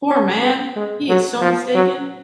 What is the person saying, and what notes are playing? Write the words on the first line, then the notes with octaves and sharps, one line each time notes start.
Poor man! he is so mistaken!
C#4
B3
G#3
F#3
F3
F#3